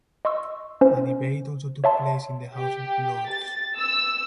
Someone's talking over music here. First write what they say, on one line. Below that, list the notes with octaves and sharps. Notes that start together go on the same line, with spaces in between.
A debate also took place in the House of Lords.
D#5 C6 C#6 E6
C#4 C5
C#5 E5 A5 C6
G4
A6
E6